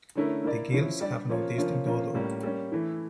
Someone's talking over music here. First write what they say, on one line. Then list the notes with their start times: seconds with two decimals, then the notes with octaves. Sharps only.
The gills have no distinct odour.
0.15 D3 A3 C#4 E4 A#4
0.44 A#3 E4 A#4 D5
0.72 F3 C#4 E4
1.01 G3 D4 G4 D5
1.29 F3 A#3 C#4 F4 C#5
1.58 C#3 F3 A#3 C#4 F4
1.86 F3 A#3 C#4 F4
2.14 A2 G3 A#3 C#4
2.43 G3 A#3 C#4
2.72 E3 A3 E4